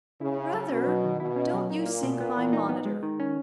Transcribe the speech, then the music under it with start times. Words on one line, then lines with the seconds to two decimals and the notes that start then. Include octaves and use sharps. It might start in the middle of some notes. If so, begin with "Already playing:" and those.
"Brother, don't you sink my monitor!"
0.21 C#3 E4
0.37 C#4
0.53 F#3
0.70 B2 C#4
0.87 F#3
1.04 D#3
1.20 B2 E4
1.36 C#4
1.54 F#3
1.70 A#2 D#4
1.86 A#3
2.03 B2
2.20 B3
2.37 E3
2.53 D#4
2.69 B3
2.85 G#3
3.03 D#3
3.20 C#4